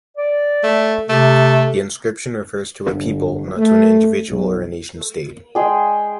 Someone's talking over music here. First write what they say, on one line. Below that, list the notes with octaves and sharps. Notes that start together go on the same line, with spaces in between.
The inscription refers to a people, not to an individual or a nation-state.
D5
A3
C3 A3
G1
A3
B1
G#3 G#4 G5